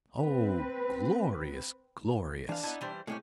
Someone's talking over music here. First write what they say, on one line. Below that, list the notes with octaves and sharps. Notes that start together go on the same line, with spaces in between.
Oh, glorious, glorious!
C4 B4
E3 D4 F5
B3 D#4 E4 A5
E3 G3 C5
C2 A2 G#3 C#4 G4